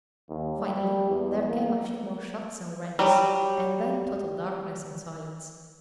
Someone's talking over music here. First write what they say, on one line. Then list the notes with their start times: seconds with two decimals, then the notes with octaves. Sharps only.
Finally there came a few more shocks and wrenches, and then total darkness and silence.
0.29 D#2
0.59 G3
1.10 E2
1.49 A#3
2.99 F#3 G3 G5